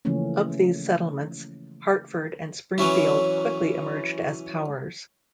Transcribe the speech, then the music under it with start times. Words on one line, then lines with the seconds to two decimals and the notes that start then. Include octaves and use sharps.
Of these settlements, Hartford and Springfield quickly emerged as powers.
0.05 C#3 E3 F3 A3 A#3 C#4
2.78 E3 F#3 C#4 E4